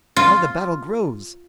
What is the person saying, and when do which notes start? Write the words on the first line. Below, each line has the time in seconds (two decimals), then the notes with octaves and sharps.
How the battle grows!
0.16 F4